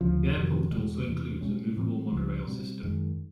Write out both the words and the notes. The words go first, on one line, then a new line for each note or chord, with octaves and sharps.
The airport also includes a movable monorail system.
D2 C#3 F3
F2 C3 D#3 F#3
E2 B2 G#3
E2 C3 E3
B2 G#3 C#4
A2 E3 G3 C4
C#2 C#3 F3
B2 G3 C4
F#2 D#3 G#3